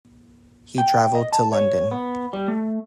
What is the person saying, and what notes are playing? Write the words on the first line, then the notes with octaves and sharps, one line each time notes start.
He traveled to London.
G5
D#5
A5
C#5
B3
G3
A3